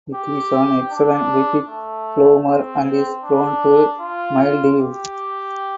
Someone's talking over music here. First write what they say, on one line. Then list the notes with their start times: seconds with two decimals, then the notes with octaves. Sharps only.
It is an excellent repeat bloomer and is prone to mildew.
0.15 G4
0.92 D4
1.69 A3
2.47 C4
3.24 D4
4.01 F4
4.78 G4